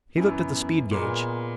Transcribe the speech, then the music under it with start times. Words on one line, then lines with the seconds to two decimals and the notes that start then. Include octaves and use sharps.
He looked at the speed gage.
0.17 F#2 E3 B3
0.91 A#2 G#3 B3